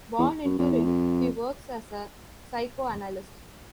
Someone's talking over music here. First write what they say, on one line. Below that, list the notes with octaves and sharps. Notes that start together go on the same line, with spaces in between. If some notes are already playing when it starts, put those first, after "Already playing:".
Born in Turin, he works as a psychoanalyst.
E2
F#2
F2
E2
F2